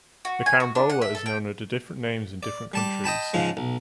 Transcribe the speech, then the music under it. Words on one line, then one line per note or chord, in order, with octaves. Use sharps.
The carambola is known under different names in different countries.
F#4
G#5
F#4
D4
F#5
E5
A4
G5
D5
G3 A5 D6
D#5 G5 A5 B5
G#2 C#3 F3 G#3
B1